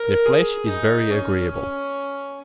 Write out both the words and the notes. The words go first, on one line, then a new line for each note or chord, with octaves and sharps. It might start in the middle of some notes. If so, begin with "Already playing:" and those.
Their flesh is very agreeable.
Already playing: A#4
G#4
D#4
C#4
C#4